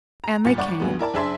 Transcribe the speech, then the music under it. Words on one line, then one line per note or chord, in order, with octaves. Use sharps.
And they came.
A#5
G1 A#2 A6 C#7
G1 D5 F#5 C#6 D6
C#2 G2 F#3 G#3 B3
E4 A#4 D5 A5
F#1 D4 G#4 E5 A5 C6